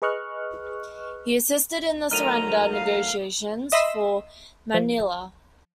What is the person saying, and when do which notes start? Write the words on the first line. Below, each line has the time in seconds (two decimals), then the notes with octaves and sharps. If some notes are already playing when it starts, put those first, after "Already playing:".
He assisted in the surrender negotiations for Manila.
0.02 G#4 B4 D#5 C#6 F6 F#6
2.11 D#3 F#3 A3 D#4 A#5 F6 D#7 F7
2.75 F5
3.72 D#5 E5 B5 C6 D#6 E6
4.74 F3